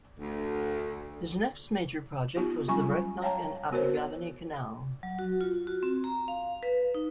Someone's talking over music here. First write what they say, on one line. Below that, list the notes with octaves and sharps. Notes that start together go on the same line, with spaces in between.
His next major project was the Brecknock and Abergavenny Canal.
D2
B3 D#4 F4 G4
F#3 G3 C#4 F4 G#5 C#6
C#5 F5 G5 A5 A#5
B3 F#4 A#4 C5 C#5
F#3
F#4
F4
F#4
C4
A#5
F5
B4
D#4